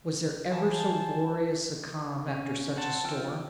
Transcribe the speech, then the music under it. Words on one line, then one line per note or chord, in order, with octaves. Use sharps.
Was there ever so glorious a calm after such a storm?
E3 C5 G#5 A5
C#4
C4 F#5 A5
F3 G5 E6 F6